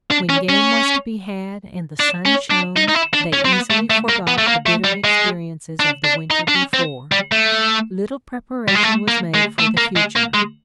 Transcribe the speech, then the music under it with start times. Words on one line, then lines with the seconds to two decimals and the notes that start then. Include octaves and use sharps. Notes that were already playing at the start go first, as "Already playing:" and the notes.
When game was to be had and the sun shone, they easily forgot the bitter experiences of the winter before. Little preparation was made for the future.
0.11 D4
0.29 C#4
0.49 C#4
2.00 D4
2.26 C#4
2.50 D4
2.76 D#4
2.88 D#4
2.94 E4
3.13 D4
3.33 C#4
3.45 C4
3.52 B3
3.70 A3
3.90 A3
4.09 A#3
4.27 B3
4.38 A3
4.47 A#3
4.66 A3
4.84 G3
5.04 G#3
5.80 D4
6.04 D4
6.31 D#4
6.48 D4
6.55 C#4
6.74 C4
7.12 G3
7.32 A3
8.68 G3
8.75 G#3
8.83 A3
9.08 A#3
9.34 G#3
9.59 A3
9.77 A#3
9.97 G#3
10.16 A#3
10.34 G#3